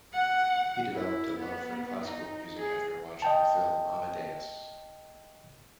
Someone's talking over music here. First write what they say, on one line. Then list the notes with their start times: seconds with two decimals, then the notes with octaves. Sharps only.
He developed a love for classical music after watching the film "Amadeus".
0.13 F#5
0.92 E4
1.36 B3
2.03 D#4
2.57 G#4
3.22 D#5 G5 A5